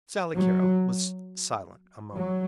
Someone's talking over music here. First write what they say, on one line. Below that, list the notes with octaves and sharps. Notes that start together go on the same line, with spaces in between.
Sally Carrol was silent a moment.
F#3
F#3